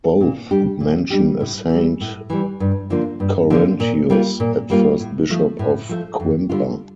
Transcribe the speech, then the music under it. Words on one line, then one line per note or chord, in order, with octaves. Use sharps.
Both mention a Saint Chorentius as first Bishop of Quimper.
A#2
G3 D4 G4
A#2
G3 D4 G4
A2
E3 G3
A2
E3 G3
G2
D3 F3 A#3 F4
G2
D3 F3 A#3 F4
A#2
G3 A#3 F4
A#2
G3 A#3 F4
A2
F3 A3
A2
F3 A3
F2
D3 G3 D4 F4